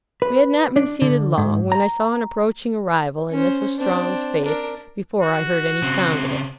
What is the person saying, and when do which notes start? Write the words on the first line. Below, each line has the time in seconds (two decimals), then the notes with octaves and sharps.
We had not been seated long, when I saw an approaching arrival in Mrs. Strong's face, before I heard any sound of it.
0.22 B4
0.76 D4
1.02 D3
1.38 G#2
1.72 A#5
3.31 C#4 C5
3.77 C4 D4
4.45 D4 A#4
5.22 F#4
5.82 C#3 C4